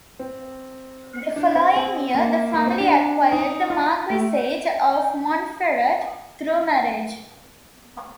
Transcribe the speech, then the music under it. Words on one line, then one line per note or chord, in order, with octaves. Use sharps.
The following year, the family acquired the Marquisate of Montferrat through marriage.
C4
D4
C4
C4
A#3
A#3
C4
D4
D#4
F4
A3